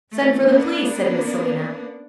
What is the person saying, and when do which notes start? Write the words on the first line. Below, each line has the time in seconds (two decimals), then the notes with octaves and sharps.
'Send for the police,' said Miss Selina.
0.13 E3 A3
0.47 A#3 B3 C#4 D4